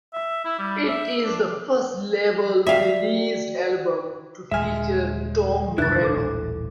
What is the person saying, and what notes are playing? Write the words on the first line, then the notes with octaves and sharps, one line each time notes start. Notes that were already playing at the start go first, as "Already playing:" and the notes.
It is the first label-released album to feature Tom Morello.
E5
E4
G3
E5
D4
F#4 D5 E5 F5 G5
D#1 D3 G#3 E5 G#5 F6
C2 F#2 C#3 D4 E4 F#6 A6
D#1 A1 E3 A4 D6